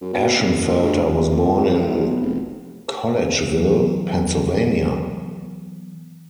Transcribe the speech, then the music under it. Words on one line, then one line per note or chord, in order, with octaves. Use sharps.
Ashenfelter was born in Collegeville, Pennsylvania.
F#2
B2
F#1
A#2
D2
C#2
F2
C#2
B1
F1
E3 F#3 B3